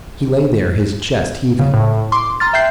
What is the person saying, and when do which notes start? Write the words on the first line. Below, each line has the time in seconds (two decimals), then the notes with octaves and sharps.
He lay there, his chest heaving.
1.59 C#3
1.74 A2
2.12 C6 D6
2.40 A#5 C6 F6 A6
2.53 E5 G5 F#6 G6 C7